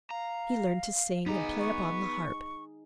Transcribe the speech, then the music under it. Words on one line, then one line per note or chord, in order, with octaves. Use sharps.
He learned to sing, and play upon the harp.
F5 A#5
B3 D#4 G#4 A#5
C#6